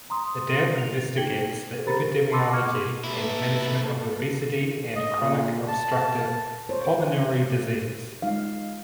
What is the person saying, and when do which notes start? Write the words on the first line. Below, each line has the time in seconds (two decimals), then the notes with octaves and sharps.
Adab investigates the epidemiology and management of obesity and chronic obstructive pulmonary disease.
0.10 A#5 C6 D#6
0.78 F7
1.17 D#4 G#4 G5 G#6 F#7 G7
1.86 G4 A#4 C5 A#5 B5 A6
2.31 A5 B5 C6 D6 E6 A6
2.52 C#6 D6 F6 G#6 C#7
3.04 G#2 A#3 E4 A4 B4
4.95 D#5
5.20 A#2
5.68 A5
6.69 C5 C#5
8.22 G#3 D#4 F5